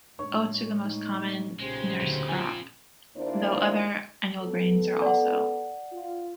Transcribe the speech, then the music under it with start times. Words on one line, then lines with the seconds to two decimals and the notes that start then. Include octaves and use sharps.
Oats are the most common nurse crop, though other annual grains are also.
0.19 A2 G#3 D4 C#5 C#6
0.83 D#4
1.60 B1 A#2 C#3 G#3 G4 C5
2.01 D2 A2
2.29 F3 C4 F4 G#5
3.16 D#2 A#3 D4 E4 C5 D5
4.42 B3 A4
5.02 D5 F#5
5.92 F4